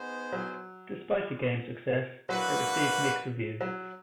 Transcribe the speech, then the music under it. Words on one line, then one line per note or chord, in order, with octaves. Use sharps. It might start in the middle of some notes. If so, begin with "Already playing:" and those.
Despite the game's success, it received mixed reviews.
Already playing: B3 D#4 G#4 C5
F#3
F#3 A#3 D4 F#4 B4
F#3